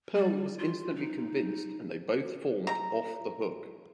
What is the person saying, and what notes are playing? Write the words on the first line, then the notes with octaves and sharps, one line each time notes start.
Pearl was instantly convinced and they both formed Off the Hook.
G3
F4
D#4
A#5